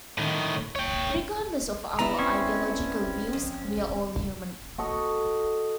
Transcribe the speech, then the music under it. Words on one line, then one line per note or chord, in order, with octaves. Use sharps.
Regardless of our ideological views, we are all human.
A2 D#3
C#5 G5
B3 D4 E4 A#5
C4 C#4 C#6
F2
F#4 A4 D#5